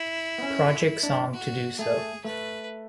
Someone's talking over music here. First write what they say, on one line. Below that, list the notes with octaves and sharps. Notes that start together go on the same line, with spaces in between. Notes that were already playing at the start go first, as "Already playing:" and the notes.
Project song to do so.
Already playing: E4
B3
C#4
D4
F#4
A3 G#4
A3 B4